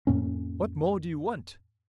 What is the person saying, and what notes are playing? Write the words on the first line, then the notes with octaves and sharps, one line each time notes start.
What more do you want?'
F2 A2 A#3 C#4